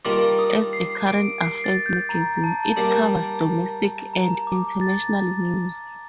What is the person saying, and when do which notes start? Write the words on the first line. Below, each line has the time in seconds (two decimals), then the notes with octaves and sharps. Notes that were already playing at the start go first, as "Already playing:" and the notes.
As a current affairs magazine, it covers domestic and International news.
0.05 D#3 G3 A#3 D4 F4 D6
0.39 D#6
0.73 C7
1.07 D7
1.41 C7
1.64 A6
1.86 G6
2.09 A#5
2.44 A5
2.64 A5
2.77 G3 A#3 D4
4.13 A#5
4.47 D6
4.81 A6